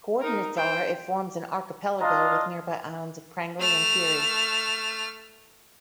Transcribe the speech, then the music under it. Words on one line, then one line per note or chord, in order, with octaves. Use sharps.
Coordinates are It forms an archipelago with nearby islands of Prangli and Keri.
D#4 A#4
C5 G5
D4 F4 D#5 F5 A#5
A3 F6